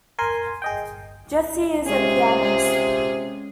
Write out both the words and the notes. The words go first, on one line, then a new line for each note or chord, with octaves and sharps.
Jesse is a pianist.
A#4 G#5 C6
G#4 D#5 G5
C3 G#3 C#4 F4 G#4